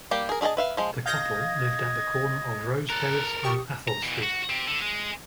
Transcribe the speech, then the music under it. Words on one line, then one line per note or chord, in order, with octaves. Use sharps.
The couple lived at the corner of Rose Terrace and Atholl Street.
G3 A#3 G4
G#4 A#4
D4 G#4 A#4 D#5 A5
B4 E5 F5
F3 G#3
D#5 F5 G6 G#6 A#6
A4 A#4 F#6
G4 C#6 D#6
A#5
B2 E3
F#4
C4 G4
D3
G#3